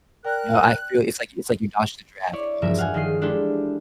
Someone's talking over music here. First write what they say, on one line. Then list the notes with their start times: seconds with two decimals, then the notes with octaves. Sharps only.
No, I feel it's like it's like you dodged the draft almost.
0.25 A#4 D5 G5 F#6
2.33 E4 C#5 D5
2.62 E1 G2 F3 A#4 E5
2.78 F5 F#5 G#5
2.94 G1 D#3 G#4 D#5 C7
3.21 G#3 D4 E4 G4 A4